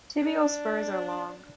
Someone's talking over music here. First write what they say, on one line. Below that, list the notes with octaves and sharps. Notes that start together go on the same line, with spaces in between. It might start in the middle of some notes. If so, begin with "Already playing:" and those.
Tibial spurs are long.
D4